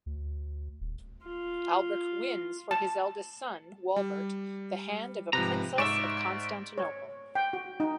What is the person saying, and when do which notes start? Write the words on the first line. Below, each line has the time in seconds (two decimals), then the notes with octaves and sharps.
Alberich wins for his eldest son, Walbert, the hand of a princess of Constantinople.
0.06 D2
0.80 D#1
1.25 F4
2.71 A5
3.96 G3
5.33 G#2 C3 F3 B4 A#5
5.78 G#2 D5 E5 C#6 E7
6.78 C#5
7.35 G5
7.53 F#4
7.80 D#4